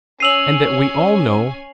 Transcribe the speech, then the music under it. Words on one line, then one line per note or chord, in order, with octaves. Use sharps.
And that we all know.
C#4 G#5 E6 C7 D#7 F7 F#7